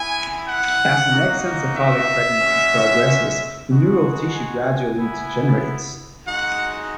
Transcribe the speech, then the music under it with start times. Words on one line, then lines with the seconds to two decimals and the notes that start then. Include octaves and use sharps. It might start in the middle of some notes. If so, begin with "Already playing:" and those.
As an exencephalic pregnancy progresses, the neural tissue gradually degenerates.
Already playing: B3 E4 G#5
0.46 F#5
1.11 A#3 D#4 F#4
1.75 E5
2.39 G#3 C#4 F#4
3.68 G#3 D#4 F#4
4.33 G#5
4.96 B3 E4
6.25 G#3 D#4 F#4 F#5